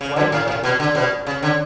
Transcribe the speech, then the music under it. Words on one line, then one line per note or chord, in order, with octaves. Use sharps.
Flight of the Discovery.
C#3
D3
A2
A2
B2
D3
B2
C#3
D3